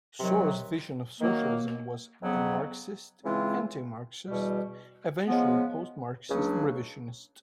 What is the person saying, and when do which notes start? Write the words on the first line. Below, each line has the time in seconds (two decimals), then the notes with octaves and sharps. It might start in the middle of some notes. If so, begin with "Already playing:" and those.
Sorel's vision of socialism was "a-Marxist, anti-Marxist, eventually post-Marxist revisionist".
0.20 C3 D#3 F#3
1.21 D#3 F#3 A#3
2.22 F2 C#3 F#3 B3
3.24 C#3 E3 G#3 C4 F4
4.26 E2 B2 G3
5.27 C#3 F3 G#3 B3
6.29 C#2 C#3 F#3 A#3 D4